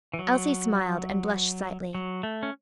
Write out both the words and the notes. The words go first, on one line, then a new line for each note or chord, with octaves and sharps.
Elsie smiled, and blushed slightly.
E3
F#3
F#3
A3
C#4